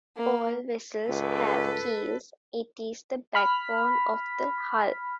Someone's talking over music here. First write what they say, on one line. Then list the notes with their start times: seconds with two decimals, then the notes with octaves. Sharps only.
All vessels have keels, it is the backbone of the hull.
0.17 A#3
1.09 C#2 A4 B4
3.35 B5 F6 B6